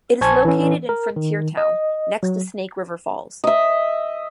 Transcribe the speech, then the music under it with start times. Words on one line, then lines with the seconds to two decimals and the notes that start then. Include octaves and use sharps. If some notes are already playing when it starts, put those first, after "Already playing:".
It is located in Frontiertown, next to Snake River Falls.
0.21 A#1 C5 G#5 A5 C#6 G#6
0.45 E3 C#4
0.89 A#4
1.16 D#3
1.57 D#5
2.23 F#3
3.44 D#5 E5